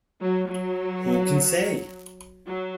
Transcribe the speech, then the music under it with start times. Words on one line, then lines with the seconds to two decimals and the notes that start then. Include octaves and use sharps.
Who can say?
0.21 F#3
0.49 F#3
2.45 F#3